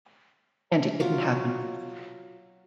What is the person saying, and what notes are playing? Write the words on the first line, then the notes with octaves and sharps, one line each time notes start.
And it didn't happen.
F#3 F4 F#4 D6